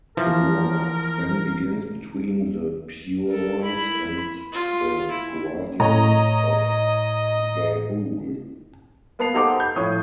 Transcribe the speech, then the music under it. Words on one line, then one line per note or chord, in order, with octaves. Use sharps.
A war then begins between the Pure Ones and the Guardians of Ga'Hoole.
E3 F3 A#4
A4 A#4
E4 B5
F4
E4
A2 C#5 D#5 A#5
A#3 B3 B4 A5 C7 F7
D#4 G4 A4 C5 F#5 D6
B5 G6
A2 F3 C#5 D#6